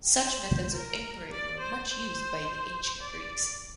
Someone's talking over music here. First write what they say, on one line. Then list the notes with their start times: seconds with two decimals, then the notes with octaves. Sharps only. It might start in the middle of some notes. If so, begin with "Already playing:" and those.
Such methods of enquiry were much used by the ancient Greeks.
0.17 C5
0.74 A#4
1.31 D5
1.59 C5
1.88 C5
3.01 D5